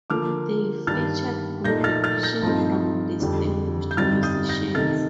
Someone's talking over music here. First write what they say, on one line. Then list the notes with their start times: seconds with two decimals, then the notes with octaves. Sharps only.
They featured contributions from distinguished musicians.
0.10 D3 F3 A#3 D6 F6
0.87 G2 D#3 G3 D4 F6 A6
1.64 A#2 A3 D#4 G6 A#6
1.84 F6 A6
2.04 F6 A6
2.23 G6 A#6
2.42 G2 F3 A3 C4 D#4
3.20 F2 D3 G3
3.91 G6
3.97 G2 D3 G3 C4 D#4 F6 A6
4.23 D#6 G6
4.49 G6 A#6
4.75 C3 D#3 A3 D#4 F6 A6